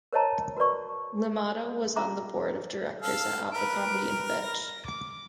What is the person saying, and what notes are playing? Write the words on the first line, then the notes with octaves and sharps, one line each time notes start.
Limato was on the board of directors at Abercrombie and Fitch.
A#4 C5 C#5 D#5 A5 A#5
F#4 A#4 B4 D5 C#6
C#4 F4 E5 A#5 D6
A4 F5
A#4 B4 D7
A#6
D6